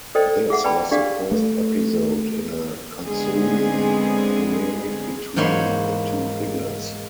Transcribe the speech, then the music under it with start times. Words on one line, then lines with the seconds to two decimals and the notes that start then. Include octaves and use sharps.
This was the first episode in a consuming polemic between the two figures.
0.15 A4 C5 D5 D#5 G5
0.50 G#4 E5 F#5 D6
0.64 B4 D5 G5 A5 B5
0.91 D4 G4 G#4 D5 F5
1.31 A3
3.06 D3 G#3 B3 C4 G#4
5.36 E2 G#2 A#3 C#5 C6